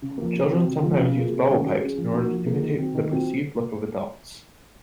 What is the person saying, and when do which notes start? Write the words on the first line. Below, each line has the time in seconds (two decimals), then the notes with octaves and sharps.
Children sometimes use bubble pipes in order to imitate the perceived look of adults.
0.02 C#3
0.18 F3 A#3
0.34 C3
0.50 F#3 C4 F4
0.67 C3
0.83 F3 G#3
0.99 C#3
1.16 F#3 A#3 F4 G#4
1.32 C3
1.48 D#3 G#3 C#4
1.65 F#3
1.81 C#4 G#4
1.98 F3
2.14 A#3 D#4 F#4
2.30 F3
2.46 A#3 F4 G#4
2.62 D#3
2.78 F#3 C4
2.95 D#3
3.11 F#3 C4 F4